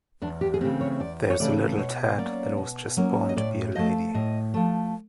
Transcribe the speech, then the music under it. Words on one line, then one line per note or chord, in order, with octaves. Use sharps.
There's a little tad that was just born to be a lady.
E2 D4
G4
G#4
C#3 E3 A3 C4 G4
C#5
E2 D5
C#5
C#3 E3 A3 C4 D5
B2 C#5
F#3 A#3 C#4 D5
B2
F#3 A#3 C#4
D#5
A2 D5
F3 A3 D#5
A2 D#5
F3 A3